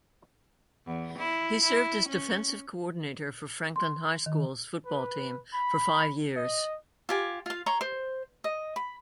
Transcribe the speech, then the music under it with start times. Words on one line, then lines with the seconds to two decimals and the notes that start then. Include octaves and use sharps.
He served as defensive coordinator for Franklin High School's football team for five years.
0.87 E2
1.19 E4
1.64 E4
2.08 C#4
3.76 C6
4.26 D#3
4.86 B4
5.53 B5
6.36 D#5
7.09 F4 G4 G#5
7.46 F4 F5
7.66 C#5 A#5 C6
7.81 C5
8.44 D#5
8.76 B5